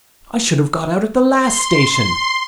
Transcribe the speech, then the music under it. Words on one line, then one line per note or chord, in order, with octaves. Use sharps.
I should have got out at the last station.
C6